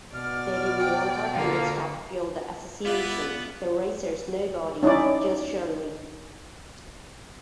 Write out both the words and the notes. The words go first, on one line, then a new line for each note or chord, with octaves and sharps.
They didn't want her to race Top Fuel, the association, the racers, nobody...Just Shirley.
B2 D5 F6
G5
D3 F3 A#3 F5
B3 E4 F4 B4 D5
C#4 D#4 E4 D5